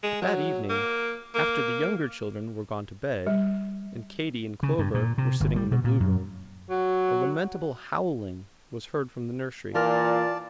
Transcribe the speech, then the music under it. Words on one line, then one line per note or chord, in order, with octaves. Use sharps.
But that evening, after the younger children were gone to bed, and Katy and Clover were sitting in the Blue-room, a lamentable howling was heard from the nursery.
G#3
F#3
A#3
A#3
G3
C#3
G2
A#2
C3
G1
G3
B2
A#2
F#2
F#3
A#2 E3 F4 A#4 D5 A5 F6